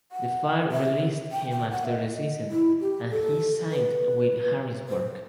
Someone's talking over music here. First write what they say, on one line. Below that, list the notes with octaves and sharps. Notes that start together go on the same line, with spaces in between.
The Fire released him after the season, and he signed with Harrisburg.
F#5
E5
G5
G5
F#5
E5
D#5
E4
G4
A4
B4
C5